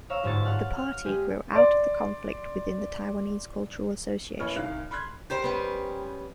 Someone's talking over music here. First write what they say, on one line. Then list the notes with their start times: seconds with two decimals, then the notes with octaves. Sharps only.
The party grew out of the conflict within the Taiwanese Cultural Association.
0.10 C#5 F5 A#5 E6
0.23 G1 G#2 F#4 G#4 A6 C#7
0.45 F#5 A5 F6
0.77 F6
1.04 G#3 G4 G#4
1.52 D5 C6
4.40 A1 A#3 B3 C#5 F6
4.56 C2 D#3 F5 F#6
4.91 B5 C6 F6 F#6 G#6
5.30 G4 A#4 C5
5.42 G3 B3 C#4